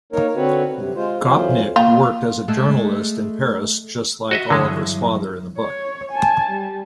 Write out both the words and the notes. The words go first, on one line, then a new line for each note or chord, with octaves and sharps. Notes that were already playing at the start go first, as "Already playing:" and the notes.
Gopnik worked as a journalist in Paris just like Oliver's father in the book.
A#3 D#4 A#4 C#5
D3 C4 F#4 B4 C#5
C3
G#3 F4 C5
F2 E3 F#3 F4 C5
A#3 F4
G#3 A3 A4
F#4 D#5 E5
G2 D3 E3 F#3 G#3
C#5
G#5 A5
G3